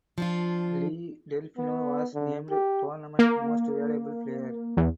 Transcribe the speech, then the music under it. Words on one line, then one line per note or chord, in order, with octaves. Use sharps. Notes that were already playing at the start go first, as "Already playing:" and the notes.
Lee Delfino was named Tournament Most Valuable Player.
F3 D4 F4
B3
D3
G4
A#3
E2